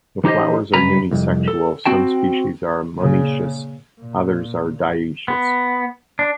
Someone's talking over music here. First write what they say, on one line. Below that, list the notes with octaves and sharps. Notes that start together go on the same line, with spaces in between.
The flowers are unisexual, some species are monoecious, others dioecious.
E3 D#4 G4 C5 D#5
C#2 G2 B4 A#5
C2 F2
A4
C4 F#4 G5 A5
A#2 C#3
A#2
B3
D4